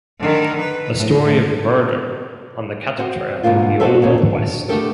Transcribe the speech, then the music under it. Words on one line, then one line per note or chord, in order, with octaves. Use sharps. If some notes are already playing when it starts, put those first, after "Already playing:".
A story of murder on the cattle trail in the old West.
D3 D#3
B4
A2
C4 F#4 C5
G#2 B2 D3 A#3 F4
C4 F#4 G4 A4 C5 E5
D#2 A#2 C#3
D4
A3 B3 D4 G4 A4 A#4